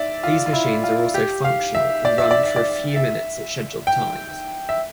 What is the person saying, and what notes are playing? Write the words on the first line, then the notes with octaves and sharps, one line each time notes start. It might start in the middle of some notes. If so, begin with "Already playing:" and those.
These machines are also functional and run for a few minutes at scheduled times.
Already playing: D5 E5
F4
F4
E4
F4
G4
F5
E5
D5
E5
D5
E5
D5
E5
G5
E5